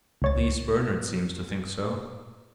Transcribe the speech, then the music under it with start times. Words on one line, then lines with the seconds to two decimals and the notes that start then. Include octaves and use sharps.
"At least, Bernard seems to think so."
0.22 C#2 C#5 A6